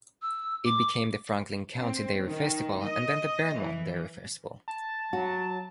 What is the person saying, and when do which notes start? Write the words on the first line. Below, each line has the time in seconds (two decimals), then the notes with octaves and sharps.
It became the Franklin County Dairy Festival and then The Vermont Dairy Festival.
0.22 E6
0.65 D6
1.77 C4
2.27 D#3
2.84 D#5
3.59 E3
4.68 A5
5.13 F#3 F#4